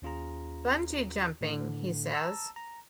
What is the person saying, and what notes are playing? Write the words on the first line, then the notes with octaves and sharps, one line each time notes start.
"Bungee jumping," he says.
D#2 C#4 F4 G#4 A#5
A2 D3
A5 A#5 E6
A#5